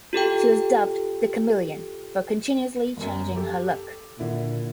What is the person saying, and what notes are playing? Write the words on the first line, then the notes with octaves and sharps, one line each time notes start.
She was dubbed "The Chameleon" for continuously changing her look.
F4 G4 A4 G5
G1 F#2
G4 A4
A#2 D3 E4